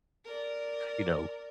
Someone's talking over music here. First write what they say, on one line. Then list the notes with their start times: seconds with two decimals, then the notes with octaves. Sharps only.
you know,
0.25 A#4 D5